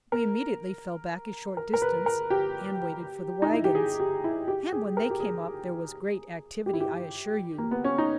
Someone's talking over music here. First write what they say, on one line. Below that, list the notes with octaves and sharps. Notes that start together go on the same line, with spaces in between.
We immediately fell back a short distance and waited for the wagons, and when they came up there was great activity, I assure you.
A#4
A#4
A#4
B4
A#4
G4
D#4
E4
G4
G#4
G4
E4
G4
G#4
A#4
G4
G#4
G4
E4
G4
A#3
B3
C#4
D#4